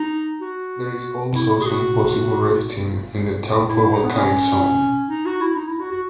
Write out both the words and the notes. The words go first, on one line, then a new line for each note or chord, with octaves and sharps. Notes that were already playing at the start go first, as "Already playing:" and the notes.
There is also some possible rifting in the Taupo Volcanic Zone.
Already playing: D#4
F#4
E4
E4
G#4
F#4
E4
E4
D#4
B3
C#4
D#4
F#4
E4
D#4
E4
F#4
F#4